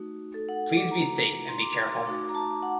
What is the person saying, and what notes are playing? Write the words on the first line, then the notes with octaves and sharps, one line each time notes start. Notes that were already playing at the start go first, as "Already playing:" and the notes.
Please be safe and be careful.
Already playing: A3 D#4 F#4
A4
F#5
D6
A3 D#4 F#4 A#5
C6
D6
C6
C6
A3 D#4 F#4 D6
A#5
A5
F#5